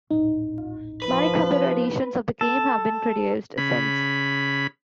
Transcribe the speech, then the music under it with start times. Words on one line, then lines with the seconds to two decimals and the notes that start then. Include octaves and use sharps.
Many computer editions of the game have been produced since.
0.11 D#1 A1 D#4
1.02 F3 B4
2.41 A4
3.58 C#3 B5